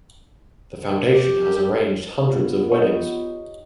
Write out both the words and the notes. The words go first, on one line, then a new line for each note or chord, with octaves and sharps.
The foundation has arranged hundreds of weddings.
G4
B3 F4
D#4 G4 C#5